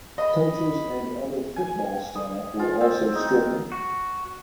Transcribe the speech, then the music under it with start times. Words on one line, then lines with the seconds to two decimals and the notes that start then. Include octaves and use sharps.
Coaches and other football staff were also stricken.
0.18 D#5 B5
1.56 G#5
2.15 D#6
2.59 F4
2.81 C4
3.15 D#4
3.72 F#4